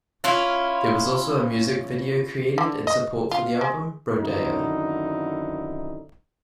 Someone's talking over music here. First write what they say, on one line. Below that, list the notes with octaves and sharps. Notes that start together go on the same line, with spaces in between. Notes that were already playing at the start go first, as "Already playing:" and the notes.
There was also a music video created in support for the album - "Brodeo".
C#4 E4 F4
D3
D#5
F4
G#3
F#2 D3 D#3 C4 D#4 E4